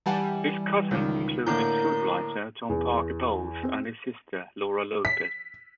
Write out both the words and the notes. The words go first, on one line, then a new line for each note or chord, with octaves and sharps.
His cousins include the food writer Tom Parker Bowles and his sister Laura Lopes.
E3 G3 F#5 G#5 A5
C#2 D#3
A2 D3 A#3 A#4 G6
E2
C4
B6